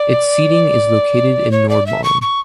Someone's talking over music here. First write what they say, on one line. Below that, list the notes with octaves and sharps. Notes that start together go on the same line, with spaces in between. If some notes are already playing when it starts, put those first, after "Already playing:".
Its seat is located in Nordmaling.
Already playing: D5
C#5
D5
E5
C#6
C#6